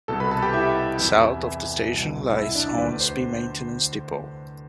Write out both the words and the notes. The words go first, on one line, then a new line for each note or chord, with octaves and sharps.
South of the station lies Hornsby Maintenance Depot.
C2 B2 A4 A5
B4 B5
A4 A5
G4 G5
E4 E5
E2 C3 E3
C2 B2
E4 E5
D4 D5
D2 D3 B4
C5